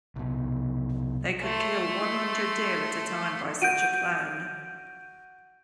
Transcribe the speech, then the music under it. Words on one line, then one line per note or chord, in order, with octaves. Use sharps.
They could kill one hundred deer at a time by such a plan.
C2 B2
A3 C6
F#4 G6 D7 D#7